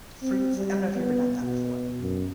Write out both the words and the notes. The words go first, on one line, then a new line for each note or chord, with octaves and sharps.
fruits li I don't know if you've ever done that before.
C4
G3
B3
B2
F#2